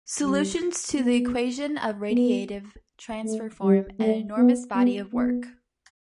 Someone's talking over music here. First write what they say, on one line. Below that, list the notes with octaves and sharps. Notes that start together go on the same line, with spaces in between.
Solutions to the equation of radiative transfer form an enormous body of work.
G3
B3
B3
A3
G3
A3
B3
B3
B3